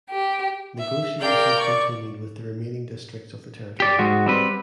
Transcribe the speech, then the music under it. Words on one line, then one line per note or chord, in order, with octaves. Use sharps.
Negotiations continued with the remaining districts of the territory.
G4
E5
A#4 D5 F5 G5
D5 C#6
G4 D5
G#2 G#3 F#4
G3 C4 B4